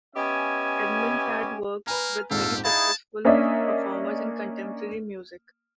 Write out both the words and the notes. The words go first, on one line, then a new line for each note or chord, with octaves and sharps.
Edmonds has worked with many successful performers in contemporary music.
B3 C#4 G4 D#5 E5 G#5
A#3 B4 G#5 A#5 F6
A#1 F2 G#2 G4 A4 F5
D#4 E4 G#4 F5 A5 D#6 A6
A#3 C#4 D4 D#5 E5